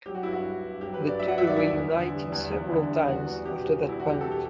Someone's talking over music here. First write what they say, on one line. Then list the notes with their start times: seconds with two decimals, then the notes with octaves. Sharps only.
The two reunited several times after that point.
0.06 F#3 G4
0.15 F#4
0.23 G2 E4
0.32 F#4
0.44 F#3
0.63 G2
0.81 F#3 G4
0.94 B4
1.00 G2
1.07 D5
1.19 F#3 E5
1.28 F#5
1.38 G2 E5
1.47 D5
1.57 E2 E4
1.76 E2
1.94 D3
2.13 G3
2.32 E2
2.51 E2
2.70 D3
2.89 G3
3.08 E2 F#4
3.26 E2
3.45 B2 G4
3.64 G3
3.83 E2
3.89 E4
4.00 E2 F#4
4.10 G4
4.21 B2 A4
4.32 G4